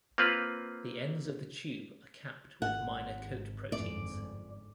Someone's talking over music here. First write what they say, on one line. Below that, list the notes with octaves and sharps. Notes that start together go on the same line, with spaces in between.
The ends of the tube are capped with minor coat proteins.
A#3 C4 F4 B4
G#1 F#5
G1 F2 G#2 D5